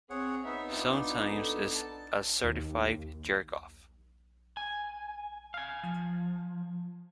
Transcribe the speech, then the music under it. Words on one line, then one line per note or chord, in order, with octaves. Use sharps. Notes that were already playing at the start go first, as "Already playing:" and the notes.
Sometimes it's a certified jerk-off.
C4 G#4 C#5 F#5
B3 D#4 E5
D4 F4
D4 A4
A5
D#2
G#5
F5 G#5
F3